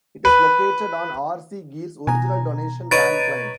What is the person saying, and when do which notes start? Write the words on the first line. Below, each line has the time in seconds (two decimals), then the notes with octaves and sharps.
It is located on R. C. Geer's original Donation Land Claim.
0.25 B4
2.07 B2 G#5 A#5
2.91 B4 C#5 D#5 A6 D7 D#7